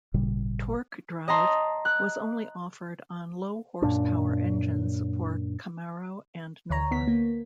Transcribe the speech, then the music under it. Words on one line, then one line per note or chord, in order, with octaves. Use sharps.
Torque Drive was only offered on low-horsepower engines for Camaro and Nova.
G#1 A#2 C#3 G3
D#5 A5 A#5 C6
F#6
F#2 A#2 D4
D2 C#5 A#5
D2 B3 B6
A#3